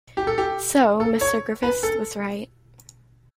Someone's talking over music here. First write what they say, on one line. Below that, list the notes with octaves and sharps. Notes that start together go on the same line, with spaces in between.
So Mr. Griffiths was right.
G4
A4
G4
A4
C#5
B4
A4